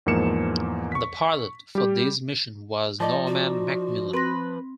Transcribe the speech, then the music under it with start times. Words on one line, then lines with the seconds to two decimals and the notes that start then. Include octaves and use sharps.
The pilot for this mission was Norman Macmillan.
0.06 E2 G#2 F3 A#3 C#7 E7
0.92 C#6 B6
1.75 G3 G4
3.00 F3 D#4 D5 D#5 A5
3.27 F#4
4.13 C4 B4 C6 A#6